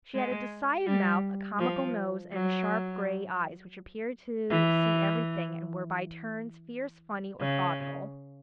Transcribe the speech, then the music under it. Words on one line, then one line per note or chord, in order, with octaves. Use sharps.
She had a decided mouth, a comical nose, and sharp, gray eyes, which appeared to see everything, and were by turns fierce, funny, or thoughtful.
G#3
G3
F3
F#3
E3
C#3